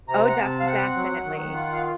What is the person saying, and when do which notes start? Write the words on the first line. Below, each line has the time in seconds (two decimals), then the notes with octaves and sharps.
Oh, def definitely.
0.08 C3 A#5
0.29 F#5
0.37 C3 A5
0.60 F5
0.66 C4 F#5
0.96 F#3
1.25 D#3
1.54 F4
1.73 F5